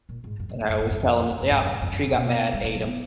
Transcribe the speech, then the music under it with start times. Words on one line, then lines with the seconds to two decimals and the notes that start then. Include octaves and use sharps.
and I always tell him, "Yup, tree got mad, ate 'em"
0.09 A#2
0.24 G#2
0.40 F#2
0.49 G#2
0.60 F2
0.69 F#2
0.80 G#2
0.91 F#2
1.00 F2
1.31 F2
1.42 F#2
1.51 G#2
1.62 F#2
1.72 G#2
1.82 F2
1.93 F#2
2.03 A#2
2.13 B2
2.54 G#3
2.64 A#3
2.74 F#3
2.84 B3